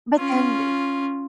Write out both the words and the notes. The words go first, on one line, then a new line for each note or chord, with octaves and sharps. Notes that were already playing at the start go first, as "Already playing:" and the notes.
But then, d
C#4 F4